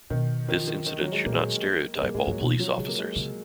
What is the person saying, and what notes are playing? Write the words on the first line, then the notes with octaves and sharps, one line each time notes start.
This incident should not stereotype all police officers.
B2 D#3
D#3
F3
D#3
D#3
F#3
G#3
A#2 A#3
G#3
A#3
G#3
F#2 A#3
G#2 G#3
G#2 F#3
B2 F3
F#3
C#3 G#3
A#3
G#3
C#3